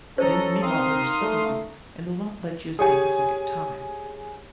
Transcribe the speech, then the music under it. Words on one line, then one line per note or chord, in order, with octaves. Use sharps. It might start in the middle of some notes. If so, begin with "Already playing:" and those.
"But in the meanwhile they'll discover you, and they'll not let you escape a second time."
C#4 A4 C5 D#5 A#5
C4 D#4 A#4 F5 C6 D#6
A3
G4 G#4 C#5 G#5 D#6